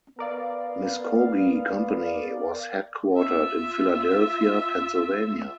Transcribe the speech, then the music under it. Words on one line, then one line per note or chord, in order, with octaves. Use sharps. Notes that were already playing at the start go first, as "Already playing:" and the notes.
Muskogee Company was headquartered in Philadelphia, Pennsylvania.
B3 A#4 D5 F5
F4 E5